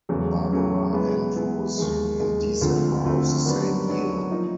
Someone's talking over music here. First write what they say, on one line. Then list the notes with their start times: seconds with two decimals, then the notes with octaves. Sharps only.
Barbara Andrews, in December of the same year.
0.09 E2 C#3 F#3 A3
0.51 E2 C#3 F#3 A3
0.93 E3 G#3 B3 E4
1.36 E3 G#3 B3 E4
1.78 D#2 D#3 G#3
2.20 D#2 D#3 G#3
2.61 D2 D3 F3 A3 C4
3.05 D2 D3 F3 A3 C4
3.45 D#3 F#3 B3 D4
3.88 D#3 F#3 B3 D4
4.31 F3 A#3 D#4